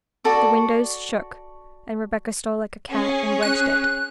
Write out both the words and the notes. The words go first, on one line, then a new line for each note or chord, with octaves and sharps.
The window shook, and Rebecca stole like a cat and wedged it.
F#4 A4 D5 C#6
C#4 G#4
F#6